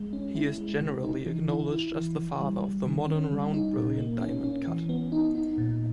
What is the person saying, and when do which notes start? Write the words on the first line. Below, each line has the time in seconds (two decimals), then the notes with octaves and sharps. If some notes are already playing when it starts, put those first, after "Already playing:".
He is generally acknowledged as the father of the modern round brilliant diamond cut.
Already playing: G#3
0.13 C#4
0.35 E4
0.58 G#3
0.81 C#3
1.03 D#4
1.26 E3
1.49 E4
1.72 E4
1.94 E3
2.16 E3
2.40 G3
2.63 G3
2.86 D#3
3.07 C#4
3.31 G3
3.54 D#4
3.76 A#2
3.98 A#3
4.21 C#4
4.44 C#4
4.67 E3
4.89 B3
5.12 D#4
5.35 D#4
5.58 A#2